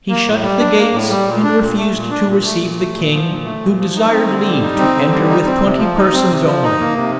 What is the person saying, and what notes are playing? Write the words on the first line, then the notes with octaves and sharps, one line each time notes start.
He shut the gates, and refused to receive the king, who desired leave to enter with twenty persons only.
A#3
A2
G3
D4
A#3
A2
G3
A#2
D4
A#2
A3
A#2
D4
A#2
A3
A#2
A3
A#2
F3
A#2
A3
A#2
F3
D#4
C4
D3
G3
D#4
C4
D3
G3
D#4
C4
C3
F3
D#4
C4
C3
F3
D#4
A#3
C3